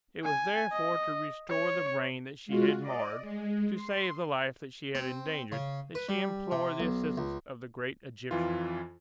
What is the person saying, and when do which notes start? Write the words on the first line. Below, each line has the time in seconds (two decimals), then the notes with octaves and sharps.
It was therefore to restore the brain that she had marred, to save the life that she had endangered that she implored the assistance of the great Egyptian.
0.24 G#5
0.72 D#5
1.50 C#5
2.46 G#3 F4 F#4
2.81 D5 D#5
3.21 G#3
3.74 C6
4.95 C4
5.52 C#3
5.95 B4
6.09 G3
6.52 C3
6.80 B1
7.17 C#2
8.31 F2 E3 F4